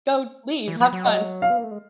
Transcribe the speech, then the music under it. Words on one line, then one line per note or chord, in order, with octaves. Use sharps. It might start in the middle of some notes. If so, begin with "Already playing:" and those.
go, leave, have fun."
E3
F3
F#3
D#5
F5
B3
A#3
A3
G#3